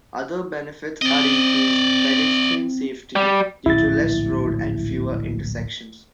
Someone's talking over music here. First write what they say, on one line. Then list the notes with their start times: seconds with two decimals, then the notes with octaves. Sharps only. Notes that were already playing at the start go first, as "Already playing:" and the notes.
Other benefits are increased pedestrian safety due to less road and fewer intersections.
1.02 C4 D5 D#5
3.16 G3
3.66 D1 A#1 E4 A6